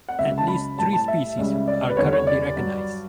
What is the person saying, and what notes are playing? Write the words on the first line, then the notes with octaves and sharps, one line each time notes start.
At least three species are currently recognized.
F#5
C#2 C#3 F#3 E5
A5
B5
A2 G3 A5
A5
E5
C#2 C#3 G3
D5
B4
E2 D3 G3 C#5
C#5
D5
G2 F#3